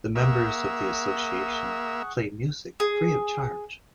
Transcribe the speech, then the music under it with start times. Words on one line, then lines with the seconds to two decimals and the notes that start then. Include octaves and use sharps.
The members of the association play music free of charge.
0.15 A#3 G#4 E5 F#5 C#6
2.80 G#4